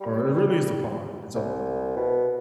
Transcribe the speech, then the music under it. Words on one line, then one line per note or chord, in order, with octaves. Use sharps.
or really it's a pond it's a
G3
C2
B2